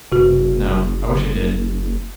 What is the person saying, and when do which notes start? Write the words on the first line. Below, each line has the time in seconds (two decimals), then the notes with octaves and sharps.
No. I wish I did.
0.12 F#1 C3 F#4